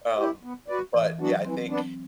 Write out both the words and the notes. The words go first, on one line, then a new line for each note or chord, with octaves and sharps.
um, but, yeah, I think,
E4 G4
B3
F#4 B4 D5
A2 E3
E3 F#3 B3 D4 F#4
E3 C4
B3 C4 D4